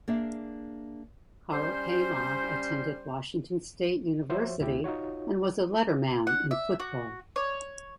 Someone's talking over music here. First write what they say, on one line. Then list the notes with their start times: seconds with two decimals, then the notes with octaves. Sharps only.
Karl Paymah attended Washington State University and was a letterman in football.
0.08 A#3 D4 G#4 D5 E5
1.53 G3 C#4 C5
4.29 F3 F#4 C5 C#5 E5
4.61 D2 E4 G4
4.84 D#4 F4 F#4 C#5
6.27 F#5
6.51 E5
6.80 F#4
7.36 C#5